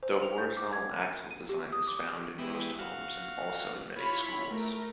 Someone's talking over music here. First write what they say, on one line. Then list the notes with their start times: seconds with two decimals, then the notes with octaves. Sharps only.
The horizontal axle design is found in most homes, and also in many schools.
0.03 C5
0.22 F7
0.38 G6
0.57 D6
0.73 G#6
1.02 D#7
1.31 D#7
1.49 G4
1.72 D#6
1.88 D6
2.38 G#3 B3 E4 G4
2.78 F#4 F5
3.95 E4 F4 C#5 B5
4.50 A3 A#4